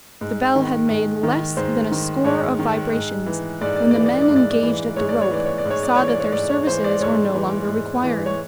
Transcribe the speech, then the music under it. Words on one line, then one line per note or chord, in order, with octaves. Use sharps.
The bell had made less than a score of vibrations, when the men engaged at the rope saw that their services were no longer required.
G#2
D#3
G#2
D#3
G#2 C5
D#3
G#2 C#5
D#3
G#2
E3
G#2 D5
D5
D5
E3
D5
D5
G#2
D5
D5
E3
G#2 C#5
D5
C#5
E3 D5
C#5
D5
G#2
C#5
D5
E3 C#5
D5
C#5
G#2 D5
C#5
E3 C5
D5
G#2 C#5
E3
G#2
E3
C#5